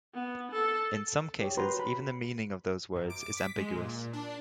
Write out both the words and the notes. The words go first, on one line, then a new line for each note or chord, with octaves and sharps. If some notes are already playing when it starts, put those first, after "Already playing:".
In some cases even the meaning of those words is ambiguous.
B3
A4
G4 C#5
F#4 B4 A#5 C6
B5
F#2
D6
B6
G#3
A#2
D4